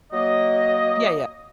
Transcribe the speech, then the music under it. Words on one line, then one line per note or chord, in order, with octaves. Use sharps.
Yeah, yeah.
F#3 A#3 D#5